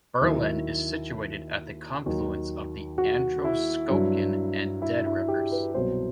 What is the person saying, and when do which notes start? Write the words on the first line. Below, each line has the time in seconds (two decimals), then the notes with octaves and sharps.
Berlin is situated at the confluence of the Androscoggin and Dead rivers.
0.21 D#2 D#3 F#3 E4
2.06 D#2 D#3 F#3
2.98 F#4
3.44 E4
3.90 G2 F#3
4.82 E4
5.06 E4
5.28 G4
5.52 B4
5.74 C2 B2 F#3 C5